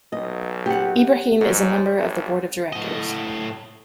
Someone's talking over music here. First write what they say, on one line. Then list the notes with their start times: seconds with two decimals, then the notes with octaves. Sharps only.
Ibrahim is a member of the board of directors.
0.12 B1 D#5
0.66 G4 F#5
1.41 G#2 C#5
2.00 G#1
2.73 A2 D#5